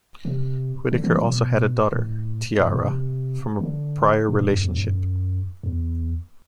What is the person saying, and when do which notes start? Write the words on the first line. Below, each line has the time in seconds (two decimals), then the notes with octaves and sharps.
Whitaker also had a daughter, Tiara, from a prior relationship.
0.25 C3
0.92 D3
1.04 E3
1.14 F#3
1.26 B2
1.93 A2
2.60 G2
2.71 B2
2.83 C3
3.61 D3
4.29 B2
4.41 G2
4.51 F#2
4.62 E2
4.74 F#2
4.84 F#2
5.63 E2